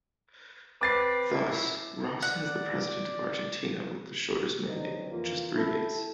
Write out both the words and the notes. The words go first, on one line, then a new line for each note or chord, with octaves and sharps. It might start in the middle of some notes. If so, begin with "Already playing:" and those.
Thus, Rawson is the president of Argentina with the shortest mandate, just three days.
C4 B4 D6 A6 C7
F#2 E4
D5 F#5
F#2 D3 F#3 B3 C4 D#4
F2 E3 A#3 F4
E4 A4